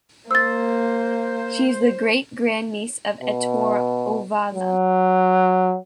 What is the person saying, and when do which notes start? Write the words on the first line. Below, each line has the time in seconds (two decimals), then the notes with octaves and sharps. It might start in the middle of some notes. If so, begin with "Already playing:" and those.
She is the great-grand-niece of Ettore Ovazza.
0.31 A#3 C5 E6 A6
3.23 B2
4.55 F#3